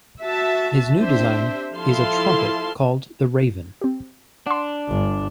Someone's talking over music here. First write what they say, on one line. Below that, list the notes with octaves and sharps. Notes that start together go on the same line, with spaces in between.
His new design is a trumpet called "The Raven".
F#4 E5 A5
C4 D4 G4 C5 E5
F3 E4 A4 F5 A5 C6
C4 G4
D4 F#5 C6
G1